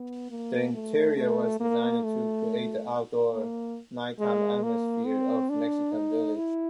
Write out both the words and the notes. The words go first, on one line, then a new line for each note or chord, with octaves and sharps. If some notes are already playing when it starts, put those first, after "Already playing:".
The interior was designed to create the outdoor nighttime atmosphere of a Mexican village.
Already playing: B3
A#3
A3
A3
A#3
A3
A#3
G#3
A#3
C4
D4
D#4
E4